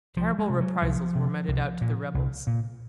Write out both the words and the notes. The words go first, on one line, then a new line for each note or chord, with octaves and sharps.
Terrible reprisals were meted out to the rebels.
C2 F3
G#3
C3
F#3
C2 F3
C3
C2
A#2
C2
A#2